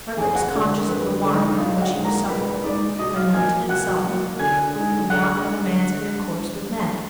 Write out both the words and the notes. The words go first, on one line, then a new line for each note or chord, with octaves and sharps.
Margaret was conscious of the want under which he was suffering, unknown to himself; the want of a man's intercourse with men.
F2 G#4 G#5
F#4 F#5
D3 G#3 D4
A#4
F2 B4
D3 G#3 D4
D#4 D#5
A#2 F4 F5
F#4 F#5
G#3 D#4
A#4 A#5
A#2 B4 B5
G#3 D#4 D5 D6
B2 D#5 D#6
F5 F6
F#3 A#3 G#5 G#6
B2 F#5 F#6
F#3 A#3
D3 G#5 G#6
G#3 D#4
D3 F#5 F#6